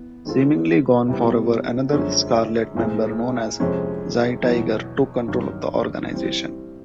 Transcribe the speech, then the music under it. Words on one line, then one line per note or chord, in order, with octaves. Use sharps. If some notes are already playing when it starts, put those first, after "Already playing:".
Seemingly gone forever, another Scarlet member known as Xi-Tiger took control of the organization.
Already playing: E3 B3
D#3 G#3 C4 F4 A4
C3 E3 G3 B3
F#2 D3 F3 G#3 C#4
C2 A#2 F3 G#3
F2 C3 F3 G#3 C#4
E2 B2 F#3
G2 D#3 F#3
A2 E3 G3 C4